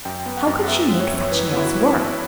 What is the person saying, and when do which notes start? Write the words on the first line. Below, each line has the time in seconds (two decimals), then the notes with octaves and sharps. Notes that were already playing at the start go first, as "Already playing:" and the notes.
How could she make such nails work?
0.05 F#2 G5
0.26 B3
0.37 F#5
0.47 F#2
0.64 F#5
0.68 B3 E5
0.89 F#2
1.00 C#5
1.11 F#2
1.31 E3 B4
1.53 B3 E4
1.64 F#4
1.74 E3
1.95 E3